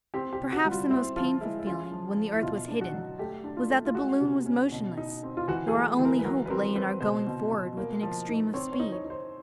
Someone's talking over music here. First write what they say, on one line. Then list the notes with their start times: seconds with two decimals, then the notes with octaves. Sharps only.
Perhaps the most painful feeling when the earth was hidden was that the balloon was motionless, though our only hope lay in our going forward with an extreme of speed.
0.14 C4 G4
0.33 G4
0.40 C3
0.53 F#4
0.65 G3
0.71 F4
0.90 C4 E4
1.16 F3 F4
1.41 G#3 E4
1.59 E4
1.66 C#4 F4
1.91 F3
2.17 F3
2.32 E4
2.43 B2 F4
2.68 D4
2.81 F#4
2.93 F#3
3.19 A3 G4
3.44 D4
3.57 F4
3.70 A3
3.86 F4
3.95 G#3 F#4
4.21 C3
4.46 C#4
4.71 B2
4.97 D#4
5.23 C4
5.37 F4
5.48 E3 F#4
5.68 G#4
5.74 A3
5.99 E3
6.05 A#4
6.19 B4
6.25 F#3 A#4
6.46 B4
6.50 C4 A#4
6.76 C4 B4
7.01 B2 C5
7.27 B2
7.52 B2
7.77 A#3
8.03 F3
8.29 D#4
8.54 C4 C#5
8.73 C#5
8.80 D#4
8.92 C#5
9.05 D#4
9.10 C5